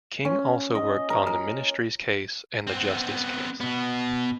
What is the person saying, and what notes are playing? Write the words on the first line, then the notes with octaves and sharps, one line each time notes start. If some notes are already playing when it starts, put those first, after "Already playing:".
King also worked on the Ministries Case and the Justice Case.
C#4
D#5
A#4
A#4
B3 C4
B2 B3